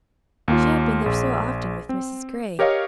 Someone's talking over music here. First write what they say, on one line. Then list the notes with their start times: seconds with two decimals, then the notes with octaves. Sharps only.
She had been there so often with Mrs. Gray.
0.48 D#2 A#3 F4
1.02 A#1 G#4
1.89 C4
2.59 G4 A#4 C#5 D#5 F5